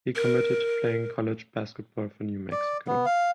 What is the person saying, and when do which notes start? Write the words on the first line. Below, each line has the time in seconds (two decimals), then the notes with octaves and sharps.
He committed to playing college basketball for New Mexico.
0.16 A#4
2.52 D5
2.87 B3
3.06 F5